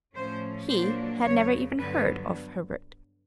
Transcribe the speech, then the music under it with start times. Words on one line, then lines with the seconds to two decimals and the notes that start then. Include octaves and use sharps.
He had never even heard of Herbert.
0.14 A2 F3 A3 C#4 C5
0.68 A#2 F#3 A#3 D4 C5
1.24 E2 C#3 F#3 C#5
1.78 G2 D3 F#3 B3 B4